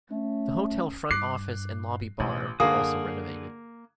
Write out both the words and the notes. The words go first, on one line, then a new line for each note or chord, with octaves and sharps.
The hotel front office and lobby bar were also renovated.
A3 C#4
G2 D6 F#6 C7
A1 B2
F#2 D3 A#3 G#4 D#6